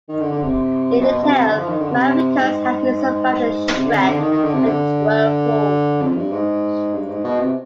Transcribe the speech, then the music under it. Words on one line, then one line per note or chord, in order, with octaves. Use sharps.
In the tale, a man recounts how he survived a shipwreck and a whirlpool.
D#3
D3
D3
C3
B2
B2
C3
C3
D3
F3
D#3
D3
C3
G#2
C3
D3
C3
D3
D#3
D#3
D3
C3
D3
F2
G2
G#2
G2
G#2
B2
C3